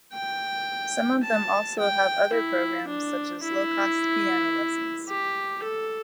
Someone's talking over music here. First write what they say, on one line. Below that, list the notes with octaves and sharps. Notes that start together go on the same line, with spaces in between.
Some of them also have other programs, such as low cost piano lessons.
G5
A5
G5
E4
D4
E4
G4
A4